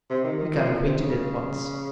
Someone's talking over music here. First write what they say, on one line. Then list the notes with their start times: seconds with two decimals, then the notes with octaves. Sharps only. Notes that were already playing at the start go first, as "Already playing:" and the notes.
We got acquainted at once.
0.09 C3
0.24 D#3
0.39 D#3
0.55 F3
0.69 A#2
0.84 C3
0.99 C#3